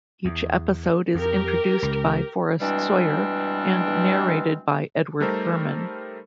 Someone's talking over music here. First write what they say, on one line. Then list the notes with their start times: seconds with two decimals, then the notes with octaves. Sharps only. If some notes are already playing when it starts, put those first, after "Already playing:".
Each episode is introduced by Forrest Sawyer and narrated by Edward Herrmann.
0.25 E2
1.15 F2 G4 A#4
1.82 C#2
2.60 B2 E3 G3 G#3 C4 D4
5.20 G3 A3 D#4 A4 A#4 C5